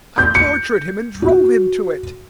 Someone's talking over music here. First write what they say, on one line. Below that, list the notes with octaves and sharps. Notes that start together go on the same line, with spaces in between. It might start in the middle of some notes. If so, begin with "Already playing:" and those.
I tortured him and drove him to it.
G6
C#7
F#4